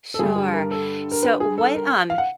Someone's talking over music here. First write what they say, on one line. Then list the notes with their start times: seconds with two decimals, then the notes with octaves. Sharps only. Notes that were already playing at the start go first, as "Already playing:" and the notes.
Sure. So what um,
0.14 A4
0.19 G2 D3 G3 G#4
0.36 G#4
0.54 A#4
0.71 A4
1.11 A#4
1.23 B4
1.40 G#4
1.58 A4
1.75 A#4
2.10 F5
2.18 F#5